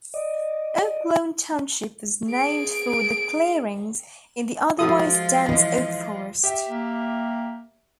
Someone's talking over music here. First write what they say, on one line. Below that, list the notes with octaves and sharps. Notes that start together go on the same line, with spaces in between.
Oak Lawn Township was named for the clearings in the otherwise dense oak forest.
D5 D#5
G#4 D7
F3 G#3 F4 F#4 A4 D#6
E3 D#5
G4 E5
A#3